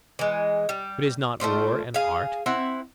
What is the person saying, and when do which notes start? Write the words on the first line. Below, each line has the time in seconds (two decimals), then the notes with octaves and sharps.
But is not war an art?
0.19 E3 G#3
0.69 G3
1.40 A3 F4 C5 D5
1.94 G#4 F5
2.46 C4 E4 F#5